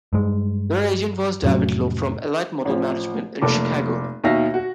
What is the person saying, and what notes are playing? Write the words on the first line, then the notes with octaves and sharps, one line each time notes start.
Their agent was David Love from Elite Model Management in Chicago.
G2 G#3
F1 A2 F#3 C#4
A1 F3
F1 A#3 A4 D6
D#2 B2 D#4 E5 F5 A#6
F#4